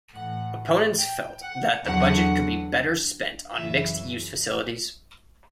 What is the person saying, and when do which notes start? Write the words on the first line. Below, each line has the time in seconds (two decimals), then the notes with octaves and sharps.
Opponents felt that the budget could be better spent on mixed-use facilities.
0.15 A2 E3 F#5
0.99 G5
1.42 F#5
1.84 E2 D3 F#3 F#5
3.53 F#2 C#3 E3 E5